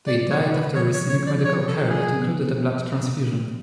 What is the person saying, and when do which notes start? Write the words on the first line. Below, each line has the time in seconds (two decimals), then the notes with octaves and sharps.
They died after receiving medical care that included a blood transfusion.
0.07 B2 D5
0.30 C#3 C#5
0.53 D3 B4
0.75 F3 C#5
0.94 C#5
1.10 C#5
1.21 F3
1.27 D5
1.44 F3 C#5
1.68 F#3 A4
1.90 F#3 G#4
2.13 B3